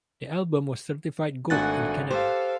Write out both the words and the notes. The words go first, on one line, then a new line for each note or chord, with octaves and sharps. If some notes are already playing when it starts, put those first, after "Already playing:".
The album was certified Gold in Canada.
G#1 A3 D4 F#4 F#5 G#5 F#6 A6
G4 A4 C5 F5